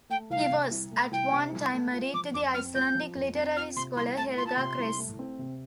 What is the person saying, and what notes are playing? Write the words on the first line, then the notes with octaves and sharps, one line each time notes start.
He was at one time married to the Icelandic literary scholar Helga Kress.
A3 G5
C2 F5
C3
C2
A3
C2 G5
C3
C2
A3
F4
F3 D6
F2 D6
C4 F6
F4 G6
F3
F2
C4
F4 F6
C3 C6
C2 C6
A3 A5
F4 C6
A5
C3 C6
C2
A3
C4
C3